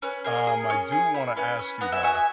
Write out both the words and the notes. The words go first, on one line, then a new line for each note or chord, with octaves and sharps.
um, I do wanna ask you, though,
C#4 B4
G#4 A#4
G#4
C#4
G#4
E4
C#4 B4
C#4
B3 F#5 A#5
E5 G#5
F#4 E5 G#5
E5 G#5